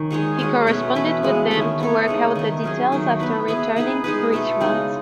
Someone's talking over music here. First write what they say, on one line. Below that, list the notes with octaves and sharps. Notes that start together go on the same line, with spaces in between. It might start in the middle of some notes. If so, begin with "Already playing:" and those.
He corresponded with them to work out the details after returning to Richmond.
Already playing: D#3 C#4
G#3 D#4 G#4 C#5
G#3 C#4 F#4
B2 A3 C#4
E3 B3 E4 B4
C#3 G#3 B3
D#3 A3 C#4
B3 E4 A4 C#5
C#3 G#3 D#4
D#3 A3 D#4
F#3 C#4 G#4
D#3 F#3 A3 D#4
B3 E4 B4
B3 E4 G#4 B4
B3 D#4 G#4 B4
G#3 D#4 G#4 B4
B2 A3 E4 A4
C#3 G#3 D#4